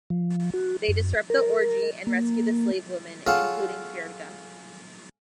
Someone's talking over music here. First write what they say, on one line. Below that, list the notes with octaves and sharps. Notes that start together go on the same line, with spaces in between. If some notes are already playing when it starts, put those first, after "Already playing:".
They disrupt the orgy and rescue the slave women, including Phrygia.
F3
F#4
F#2
A#4
A#3
F4 G#4 A4 C#5 F5 F#5